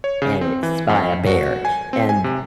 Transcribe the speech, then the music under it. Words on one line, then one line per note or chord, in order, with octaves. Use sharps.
and it's by, uh, Behr, and
C#5
C#3
C4
E3
F2
F#4
G#5
C4
G#5
C3